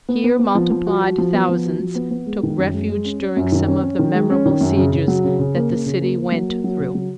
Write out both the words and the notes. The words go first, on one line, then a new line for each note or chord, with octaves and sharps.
Here multiplied thousands took refuge during some of the memorable sieges that the city went through.
B3
B3
B3
F3
F3
F#4
F#4
F3
B3
F3
F#4
F3
B3
B3
G#3
D#3
F#2
G#3
G#3
C#4
C#4
F#2
D#3
C#4
C#4
D#3
G#3
C#4
D#3
F#2
C#3
C#3
F#3
C#3
C#3
A#3
C#3
C#3
A#3
A#3
F#3
A#3
F#3
C#3
F#3